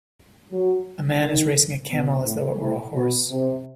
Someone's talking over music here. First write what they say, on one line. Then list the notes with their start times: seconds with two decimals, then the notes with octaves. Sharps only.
A man is racing a camel as though it were a horse.
0.52 F#3
1.21 D#3
1.90 B2
2.26 A2
2.60 A2
2.95 B2
3.29 C3